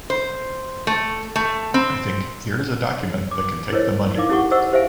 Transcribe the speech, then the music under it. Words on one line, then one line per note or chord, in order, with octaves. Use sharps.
I think here is a document that can take the money.
C5
A3
A3
C4
D6
E4 A#4 C5 C#5 D#5
D#4 E4 A#4 F5 D6
C#4 E4 G4 A4 F#5 C#6
A4 C5 D#5 F#5 C#6 E6
G4 C5 E5 F5 G#5